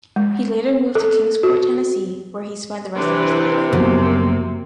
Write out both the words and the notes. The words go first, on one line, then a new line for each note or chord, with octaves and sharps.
He later moved to Kingsport, Tennessee, where he spent the rest of his life.
G#3
A4
F#4
C3 E3 C4 D4 B4
F#2 C#3 F3 A#3 B3